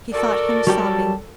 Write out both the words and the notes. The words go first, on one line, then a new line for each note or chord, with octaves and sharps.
She thought him sobbing.
F#4 A4 A#4 D5
F#3 G3 G4 A5